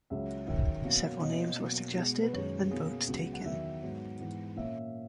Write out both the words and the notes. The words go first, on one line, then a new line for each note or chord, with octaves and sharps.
Several names were suggested and votes taken.
C#2 C#3 F#3 C#4 E5
F#2 D#3 F#3 C#4 E5
B2 F#3 A#3 C#4
B2 A#3 C#4 D#5
B2 F#3 A#3
B2 G#3 B3
B4
F#2 D#3 G#3 C#5
B2 A#3 C#4 G#4
C#2 C#3 F#3 B3
F#5
E2 D#3 F#3 E5
G#2 F#3 B3
G#2 E3 B3
A#2 A#3 C#4 E5